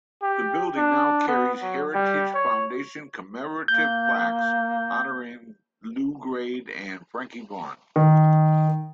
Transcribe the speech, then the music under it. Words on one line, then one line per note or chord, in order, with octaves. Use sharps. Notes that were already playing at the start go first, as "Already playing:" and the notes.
The building now carries Heritage Foundation commemorative plaques honouring Lew Grade and Frankie Vaughan.
G4
D4
B3
F#3
G3
C#5
A#3 G6
D#3